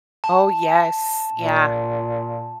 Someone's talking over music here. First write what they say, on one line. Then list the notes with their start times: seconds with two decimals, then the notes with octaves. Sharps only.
Oh, yes, yeah.
0.24 A5
1.35 A#2